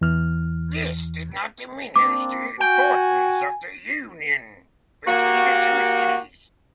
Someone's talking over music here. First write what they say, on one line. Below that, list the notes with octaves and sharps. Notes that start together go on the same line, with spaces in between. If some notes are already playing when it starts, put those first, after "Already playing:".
This did not diminish the importance of the union between the two cities.
E2 E3 F6
A#3 C4 D4 D6
F#4 G5 G#5
A#3 F#4 G4